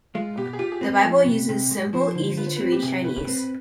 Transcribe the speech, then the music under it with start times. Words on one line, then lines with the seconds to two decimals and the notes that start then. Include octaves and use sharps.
The Bible uses simple, easy to read Chinese.
0.14 G#3 F4
0.37 B2 G4
0.53 G#4
0.59 F4 G4
0.72 G#4
0.81 C4 B4
1.05 F3
1.26 C3
1.49 C3
1.71 G#3
1.93 F3 C5
2.15 D3
2.37 F4 B4
2.46 C5
2.56 C4 B4
2.72 G4
2.83 C3 G#4
3.04 C2 B4
3.28 C4 B4